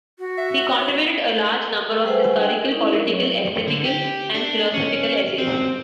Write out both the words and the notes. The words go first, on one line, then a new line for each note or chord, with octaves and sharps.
He contributed a large number of historical, political, esthetical and philosophical essays.
F#4
E5
C#5
G3 G#4 B4 C5 F#5 G#5
D4 G5
A#4
C#4 D#4 E4 D5
D4 G#4 A#4
F#3 C#4 C#5
D3
G4
D4
C#4
C4